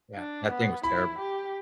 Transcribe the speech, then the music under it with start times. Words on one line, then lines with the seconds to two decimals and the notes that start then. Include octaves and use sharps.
Yeah. That thing was terrible.
0.15 D4
0.50 B3
0.84 E4 B5
1.18 G4